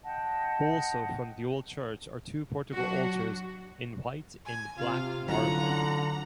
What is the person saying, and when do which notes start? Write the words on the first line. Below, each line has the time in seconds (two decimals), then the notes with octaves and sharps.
Also from the old church are two portico altars in white and black marble.
0.03 D#5 F#5 G5 A5
2.75 F#3 D4 F#4
4.46 G#5
4.78 C3 F4 F5
5.28 D3 F#3 C#4 E4 F4 F#5 A#5